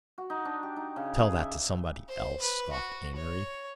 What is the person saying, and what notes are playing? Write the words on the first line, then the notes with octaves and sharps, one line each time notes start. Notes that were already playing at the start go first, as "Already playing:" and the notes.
"Tell that to somebody else," scoffed Amory.
F#4
D#4
D4
G4
D#4
C#3
G#4
E5
C5
B4
F#4
C#5